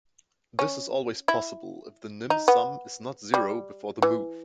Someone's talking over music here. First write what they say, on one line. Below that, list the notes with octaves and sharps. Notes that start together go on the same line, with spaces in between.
This is always possible if the nim-sum is not zero before the move.
C#4
E4
D#4
B3
G3
E3